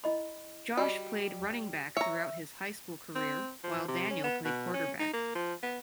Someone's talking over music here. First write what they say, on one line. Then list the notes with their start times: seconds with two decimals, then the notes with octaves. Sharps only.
Josh played running back throughout his high school career while Daniel played quarterback.
0.04 E4 D#5 B5
0.77 G3 F#4 D5 D#5
1.97 C#5 E5 A#5
3.15 C4
3.64 F3
3.89 C3
4.10 C#4
4.24 B3
4.45 B2
4.74 C#4
4.99 D#4
5.13 A#3
5.35 F3
5.63 B3